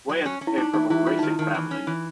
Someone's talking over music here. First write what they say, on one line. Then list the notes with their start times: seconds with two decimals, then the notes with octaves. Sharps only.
Weyant came from a racing family.
0.09 F#3
0.26 C#4
0.41 C#4
0.47 E4
0.58 D4 D#4
0.73 E3 D#4
0.90 E3 E4
1.06 G3 F4
1.19 D#3 D#4
1.30 E4
1.39 D#3 D#4
1.54 E3
1.71 C#4
1.87 E3